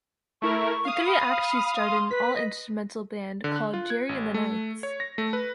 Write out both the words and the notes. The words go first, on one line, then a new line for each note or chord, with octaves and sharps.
The three actually started an all-instrumental band called "Jerry and the Knights".
A3 E4 A#4 C#6
F5 D#6
B5
C6
B4 B6
D#5
D3
F#6
F4
G#6
A1
A3
C#5
A#6
A3
B4